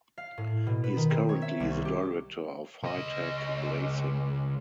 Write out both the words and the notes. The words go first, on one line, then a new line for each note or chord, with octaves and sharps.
He is currently the director of Hitech Racing.
F5
A2
B2
B4
D#3
C4
C#5
E5
C2
C#6
G4
C#2 D#5